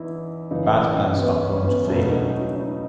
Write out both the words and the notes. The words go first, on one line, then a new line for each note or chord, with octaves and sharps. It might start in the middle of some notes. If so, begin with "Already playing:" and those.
Bad plans are prone to failure.
Already playing: E2 D#4 E4
F#2 C#3 E3 D#4
C#4
B3
C#4
B3
C#2 B2 F#3 A3 C#4
D#4
E4
D#4